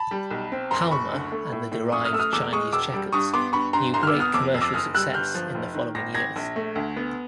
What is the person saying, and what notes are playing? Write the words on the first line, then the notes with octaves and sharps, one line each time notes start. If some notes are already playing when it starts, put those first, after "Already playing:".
Halma and the derived Chinese checkers knew great commercial success in the following years.
Already playing: A5 B5
G3
B1
C4
F#1 A#5 C6
F#1 B5 C#6
D2
A3
A2
A2
F#2 C#6 D#6
D#6 F6
A3 E6
D#6 F6
E2 D6 E6
G#3 C#6 D#6
E1 D6 E6
G3
G2 C#6 D#6
B3 C6 D6
G2 B5 C#6
G2 A#5 C6
C2 A#5 C6
F6
D6 E6
B3
D#6 F6
F2 D6 E6
F2
D6 E6
F#1 D#6 F6
G3 E6 F#6
G1 F6 G6
F3
F1
D#3
G#1 A#6
G#1 G#6 A#6
A#1
A3
D2
B3